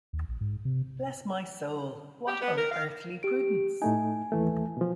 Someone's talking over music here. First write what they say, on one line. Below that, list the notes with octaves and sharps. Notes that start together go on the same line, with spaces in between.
Bless my soul, what unearthly prudence!
D#2
A#1
G#2
C3
G4
B3
A#4
F5
G4 D7
A2 A3 D#4 G#5
D#2 E3 A3
B2 F3